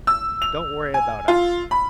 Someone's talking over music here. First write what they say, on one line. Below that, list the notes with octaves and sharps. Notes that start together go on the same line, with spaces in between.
Don't worry about us.
E6
F7
G#5
F4
B5